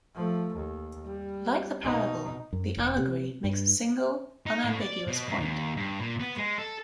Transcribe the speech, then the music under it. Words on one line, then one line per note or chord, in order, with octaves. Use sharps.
Like the parable, the allegory makes a single, unambiguous point.
F3 A3
D#2
G3
B2 D#4
F#2
E1
C3
G2
D#4
A2
D5
B2
F#2
D#2
G2
A#2
B3
G#3
A4